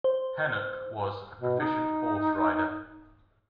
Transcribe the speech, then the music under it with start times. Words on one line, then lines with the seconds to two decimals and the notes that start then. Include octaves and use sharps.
Pennock was a proficient horse rider.
0.04 C5
1.41 B2
1.60 D#4